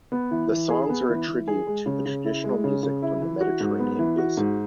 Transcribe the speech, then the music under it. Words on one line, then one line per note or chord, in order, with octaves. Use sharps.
The songs are a tribute to the traditional music from the Mediterranean basin.
B3
E3
E3
G#4
B3
E3
E3
G#4
G#3
C#3
C#3
E4
G#3
C#3
C#3
E4
E3
F#4
G#2
B3
E3
F#4
G#2